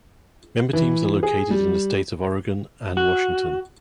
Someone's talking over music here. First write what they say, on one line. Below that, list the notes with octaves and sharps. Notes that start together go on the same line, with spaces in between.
Member teams are located in the states of Oregon and Washington.
E3
G#4
G3
F#4